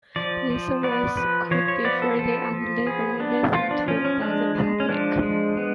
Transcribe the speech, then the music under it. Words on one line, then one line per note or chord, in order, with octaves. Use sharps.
This service could be freely and legally listened to by the public.
F3 D5
F3
B3 D5
F3 B4
F3 C#5
C#5
B3 D5
A4
F3 A4
F3
B3 G#4
B3 D4
F3 F4
D4
F3 C#4
C#4
G#3 D4
G#3
C#4
F3 D4
G#3
B3